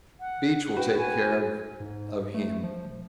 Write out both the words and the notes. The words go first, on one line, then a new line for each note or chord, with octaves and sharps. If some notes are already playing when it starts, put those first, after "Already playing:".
Beach will take care of--of him.
F#5
F#4 B4 G5
G#5
G#2
A3
F3
E1